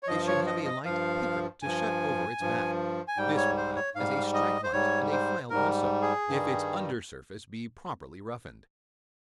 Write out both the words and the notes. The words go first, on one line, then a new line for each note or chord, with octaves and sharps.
It should have a light "picker" to shut over its back; this will act as a strike-light, and a file also, if its under surface be properly roughened.
C#5
G2 F3 D#5
C#5
D#5
D#5
G2 F3 F5
G2 F3 G#5
G2 F3
G#5
G#2 G3 G5
C#5
C5
C#5
G#2 G3 F5
D#5
C5
G#2 G3 C#5
C5
G#2 G3 A#4
G#4
G2 D#3 G3